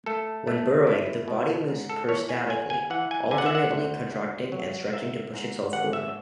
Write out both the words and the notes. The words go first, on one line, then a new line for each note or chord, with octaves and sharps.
When burrowing, the body moves peristaltically, alternately contracting and stretching to push itself forward.
A3 A4
A3
E4
B2
G#2
A4
E3 C#5
G#5
B3 G#5
G#5
E3 F#5
G#5
D3 G#5
F#5
E5
F#5
D2
D2
F#3
G#2 E5
G#2
G#1 F#5
E5